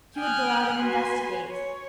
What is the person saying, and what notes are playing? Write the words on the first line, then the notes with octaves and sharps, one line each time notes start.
He would go out and investigate.
G5 G#5 D#6 F6 F#6
F#4 B4 G#5 C6
C#5